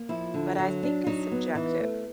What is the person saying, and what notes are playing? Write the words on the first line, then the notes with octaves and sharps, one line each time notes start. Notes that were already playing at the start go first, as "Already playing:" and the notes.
but I think it's subjective,
Already playing: A#3
F3 E4
D3
F#3
D4
F#3 D#4
B3
E3
A3